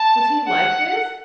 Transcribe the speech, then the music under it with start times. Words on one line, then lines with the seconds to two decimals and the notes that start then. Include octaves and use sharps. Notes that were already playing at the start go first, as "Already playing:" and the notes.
Was he like this?
Already playing: A5
0.47 F#5